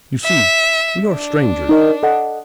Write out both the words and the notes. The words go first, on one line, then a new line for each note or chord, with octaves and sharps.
"You see, we are strangers."
E5
D4
D#4 A#4 D#5
A4 D#5 F#5